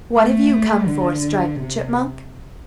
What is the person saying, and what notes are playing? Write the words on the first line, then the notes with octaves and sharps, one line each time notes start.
"What have you come for, Striped Chipmunk?"
A3
D3
C3